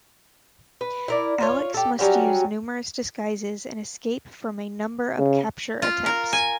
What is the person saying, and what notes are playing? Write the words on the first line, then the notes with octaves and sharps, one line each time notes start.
Alex must use numerous disguises and escape from a number of capture attempts.
B4
E4 A#4 D5
F4 C#5
G4 A4
F#3 G3 C#4 F#4
C#3
F4
A#4
G#5